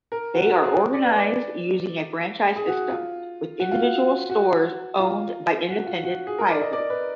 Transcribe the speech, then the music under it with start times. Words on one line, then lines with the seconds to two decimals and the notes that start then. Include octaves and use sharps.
They are organized using a franchise system, with individual stores owned by independent proprietors.
0.12 A#4
0.35 F#4
0.46 F#4
0.64 G#4
0.93 D5
1.05 B4
1.16 D5
2.56 G#4
2.67 F#4
2.90 F4
3.60 F#4
3.71 F4
3.83 F#4
4.29 F#4
4.99 F4
5.69 F#4
5.87 F4
6.04 F#4
6.27 G#4
6.38 A#4
6.50 D5
6.61 D#5
6.73 D5
6.90 B4